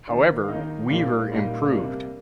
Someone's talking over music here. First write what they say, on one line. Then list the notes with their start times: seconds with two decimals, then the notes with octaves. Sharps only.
However, Weaver improved.
0.07 D#3 A#3 D#4 D5
0.44 F5
0.48 D#3 A#3 D#4 D#5
0.89 A#2 G3 A#3 D#4 F5
1.30 A#2 G3 A#3 D#4
1.71 C3 G3 A#3 D4